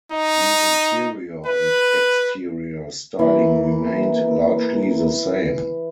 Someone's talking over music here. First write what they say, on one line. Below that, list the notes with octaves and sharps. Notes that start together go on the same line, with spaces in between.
The interior and exterior styling remained largely the same.
D#4
B4
E3 A#3